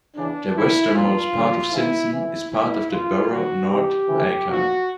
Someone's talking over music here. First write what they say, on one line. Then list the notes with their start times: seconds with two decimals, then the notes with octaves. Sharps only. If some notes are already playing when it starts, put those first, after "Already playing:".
The westernmost part of Sinsen is part of the borough Nordre Aker.
0.15 E2 C#3 E3 D4
0.54 A1 G2 D3 E4
0.93 B1 A#2 F3 F4
1.33 G1 G2 D3 F3
1.72 A1 G#2 D#3 E4
2.11 F2 C#3 E3 E4
2.50 G1 G2 E3 E4
2.90 C#2 B2 F4
3.29 G1 G2 D#3 F#4
3.68 C2 C3 E3 G4
4.08 D2 C#3 E3
4.47 B1 A#2 F3 F#4